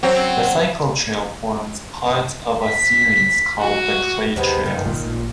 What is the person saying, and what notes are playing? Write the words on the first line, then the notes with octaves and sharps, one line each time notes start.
The cycle trail forms part of a series called the Clay Trails.
F#3 C4
B6
F#4
D#2 C3 G#3 B3
F#2 D#3
G1 A#2 D3 G#3
A1